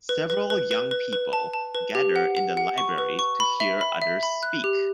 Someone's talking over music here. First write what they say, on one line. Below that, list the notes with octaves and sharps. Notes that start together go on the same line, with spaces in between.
Several young people gather in the library to hear others speak.
B4
B4
B4
B4
B4
B4
A5
A5
B4
G4
F#5
F#5
F#5
C#6
B4
C#6
B5
E5
B5
E5
B5
F#6
G4